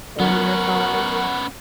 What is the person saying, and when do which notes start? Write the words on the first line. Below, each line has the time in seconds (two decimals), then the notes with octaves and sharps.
on your phone,
0.20 F#3 B3 C#4 A#4 F#5 C#6